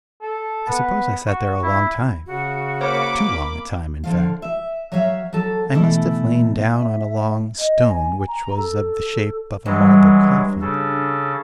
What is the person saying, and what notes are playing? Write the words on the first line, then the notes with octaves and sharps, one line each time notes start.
I suppose I sat there a long time--too long a time, in fact; I must have lain down on a long stone which was of the shape of a marble coffin.
A4
B3
F#4
E4
C#3 F#4
A#3 A#4 C5 C#5 B5 D6
D3 F3 F5
E5
F#3 C#5 E5 F5
F#3 A4
B2 E3 A3 E4
E5
D#5
G#5
A#5
A4
G2 E3 F#3 G#3
C#3 A4